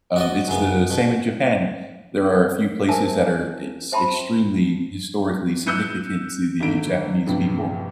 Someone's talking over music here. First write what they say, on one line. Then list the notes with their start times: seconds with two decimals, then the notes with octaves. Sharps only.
Um, it's the same in Japan, there are a few places that are ex extremely historically significant to the Japanese people,
0.16 F#4 D5 D#5
0.48 F#2 C#3 B3
0.91 B2
2.89 A#4 C5 E5 G#5 A5 E6
3.92 C5 E5 G5 A5 B5 C6
5.66 E6 F#6 G6 C#7 D#7
6.60 G#1 D3 D7
7.27 A#1 G2 C3